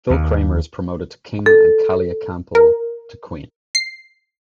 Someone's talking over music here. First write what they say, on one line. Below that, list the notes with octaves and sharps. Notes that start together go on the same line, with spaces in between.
Phil Kramer is promoted to King and Kalia Campbell to Queen.
D#2
A4
A#4
C7